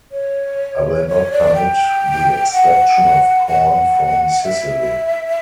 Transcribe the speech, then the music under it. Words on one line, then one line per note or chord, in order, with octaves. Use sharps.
I will not permit the extraction of corn from Sicily.
C#5
C#5
D5
G5
F#5
F#5
E5